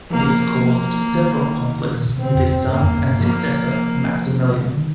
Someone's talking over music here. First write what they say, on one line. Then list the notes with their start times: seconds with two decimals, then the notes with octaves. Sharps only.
This caused several conflicts with his son and successor Maximilian.
0.10 F3 A#3
0.63 A#3
1.14 D#3
1.94 A#2
2.05 C3
2.18 D3 C4
2.34 F2
2.52 G2
2.69 G2 A#3
2.81 F2
2.93 G2
3.20 F3 A#3
4.54 C3
4.65 D3
4.76 D#3